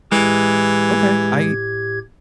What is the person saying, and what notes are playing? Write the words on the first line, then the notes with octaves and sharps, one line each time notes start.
okay. I
A2 E3 G#3 G4 G#6